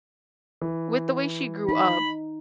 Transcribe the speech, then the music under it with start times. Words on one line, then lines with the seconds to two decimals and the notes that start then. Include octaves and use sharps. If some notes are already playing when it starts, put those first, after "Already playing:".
with the way she grew up,
0.62 E3
1.69 D#4 B5